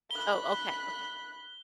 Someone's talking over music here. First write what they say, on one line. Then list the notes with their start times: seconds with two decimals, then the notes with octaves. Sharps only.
Oh, okay, okay.
0.11 B5 F#6 G7